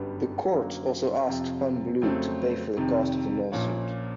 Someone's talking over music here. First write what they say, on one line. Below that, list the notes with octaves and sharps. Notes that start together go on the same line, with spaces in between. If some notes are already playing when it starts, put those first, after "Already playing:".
The Court also asked Pan-Blue to pay for the cost of the lawsuit.
Already playing: G1 F#2 D3 G3 B3
F#2 D3 F#3 A#3
F2 C3 F3
F2 C#3 F#3 A3 C4
F2 C3 D#3
A#1 A#2 F3 A#3 C#4